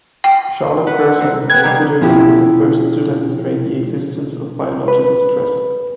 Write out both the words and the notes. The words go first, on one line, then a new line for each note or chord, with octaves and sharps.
Charlotte Gerson considers him the first to demonstrate the existence of biological stress.
G5
B4 F#5
C4 D#4
A3 B3 B4 G5 G#6
D#3 G3 D#4 G#4 G5
B2 F3 C#4 E4 G4
B4